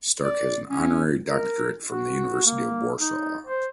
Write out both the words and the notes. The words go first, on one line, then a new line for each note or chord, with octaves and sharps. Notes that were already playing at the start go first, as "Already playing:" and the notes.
Stark has an honorary doctorate from the University of Warsaw.
D5
C#4
A#4
F#4
A#3
D#4
C5